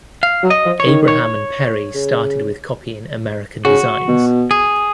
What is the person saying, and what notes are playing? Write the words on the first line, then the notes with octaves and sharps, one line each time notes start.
Abraham and Peri started with copying American designs.
F5
F#3
D#5
F3
C#5
D#3
C#5
C#3
C#3 F#4
B2
G#4